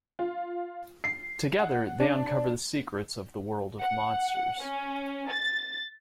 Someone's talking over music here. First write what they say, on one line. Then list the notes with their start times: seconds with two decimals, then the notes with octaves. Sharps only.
Together, they uncover the secrets of the world of monsters.
0.19 F4
1.04 C7
1.59 F#5
2.00 D4
3.79 F#5
4.61 C#4
5.27 A6